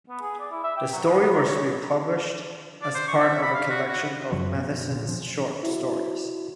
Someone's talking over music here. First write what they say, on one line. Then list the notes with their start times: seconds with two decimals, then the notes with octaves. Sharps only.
The story was republished as part of a collection of Matheson's short stories.
0.09 B3
0.21 G#4
0.39 D5
0.51 E4
0.64 E5
0.77 G5
0.92 F#3
1.04 G#3
1.20 B3
1.32 A#4
1.46 C#5
2.82 D5
2.95 C5
3.08 C#6
3.20 E5
3.43 B5
3.55 F5
3.69 F#4
3.88 F#4
4.32 F#2 C#3 F3 F#3
4.54 B2
4.92 A#2 D3
5.08 F3
5.63 E4 F#4